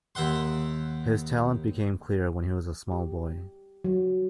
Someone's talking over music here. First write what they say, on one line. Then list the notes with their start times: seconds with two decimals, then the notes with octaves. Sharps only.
His talent became clear when he was a small boy.
0.15 D#2 E5 F#5 C6
2.91 G4
3.84 F#3